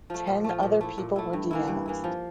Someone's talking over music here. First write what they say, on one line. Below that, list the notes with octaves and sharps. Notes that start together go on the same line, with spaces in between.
Ten other people were denounced.
F3 A3
A#2
F3 A3
A#2
A3 E4
A#2
A3 E4
G2
E3 A#3 E4
G2
E3 A#3 E4
F3